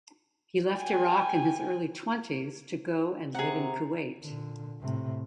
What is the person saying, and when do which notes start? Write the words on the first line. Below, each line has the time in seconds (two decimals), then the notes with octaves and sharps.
He left Iraq in his early twenties to go and live in Kuwait.
0.74 G5 G#5
3.35 C3 G#4 F#5 A#5
4.22 A#2 D3
4.81 A2 C3